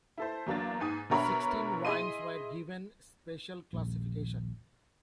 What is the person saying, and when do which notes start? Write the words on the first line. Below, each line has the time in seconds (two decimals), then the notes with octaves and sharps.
Sixteen wines were given special classification.
0.18 E4 A4 C5
0.46 E2 F#3 A#3 D4 A6
0.80 G#2 G#5 D#6
1.10 B2 D3 A#4 C#5 E5 B5
1.85 E4 G#4 D#5 C6 D#7
3.73 D#1 A#1